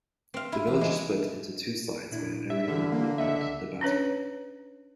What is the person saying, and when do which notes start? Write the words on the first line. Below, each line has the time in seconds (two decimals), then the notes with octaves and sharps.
The village is split into two sides by an area locally called 'The Battery'.
0.34 C4 F5
0.52 E4
0.67 A1 C3
0.81 G#3
2.12 A#2 D4 E4
2.50 G2 E5
2.68 D3 E3 G3
2.92 A#3
3.18 C#2 D#5 E5 F#5
3.81 C#4 D4 B4 C#5